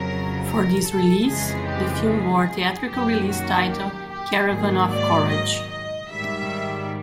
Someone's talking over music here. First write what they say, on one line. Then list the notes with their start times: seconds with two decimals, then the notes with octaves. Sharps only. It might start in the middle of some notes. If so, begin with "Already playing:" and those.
For this release, the film bore theatrical release title, "Caravan of Courage".
Already playing: F2 C#3 F#3 A#4
0.45 A#4
0.85 A4
1.26 F2 C#3 E3 G#3 G#4
1.67 G4
2.07 G#4
2.87 F#2 D#3 F#3 A#3 G4
3.28 F#4
3.68 G4
4.09 G4
4.49 G#2 D#3 F#3 A#3 G#4
4.90 D5
5.30 D#5
5.70 D#5
6.10 G#2 D#3 G3 E5